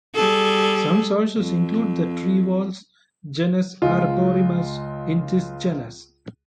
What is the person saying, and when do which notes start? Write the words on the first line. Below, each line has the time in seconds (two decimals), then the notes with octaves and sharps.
Some sources include the tree voles, genus "Arborimus", in this genus.
0.14 G3 G#4 A4
1.38 F2
3.82 C#2 G#3 F4